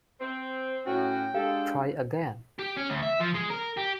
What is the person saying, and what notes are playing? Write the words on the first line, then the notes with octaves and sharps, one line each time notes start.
Try again?
C4
A2 C#4 F#4 G5
G#3 D4 G4 A4 F5
G4
C#4
D2
E5
F3
G#3
A#4
G4